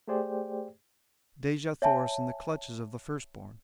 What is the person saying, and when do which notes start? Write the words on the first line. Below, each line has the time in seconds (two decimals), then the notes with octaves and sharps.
Dejah Thoris in the clutches of the First Born!
0.07 A3 G4 G#4 C5 D5 G5
1.82 C#5 E5 G#5 A5